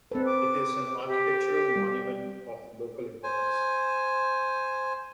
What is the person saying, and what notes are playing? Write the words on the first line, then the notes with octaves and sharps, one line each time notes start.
It is an architectural monument of local importance.
C4 A4 B4
D6
G4
G3
C5 G#5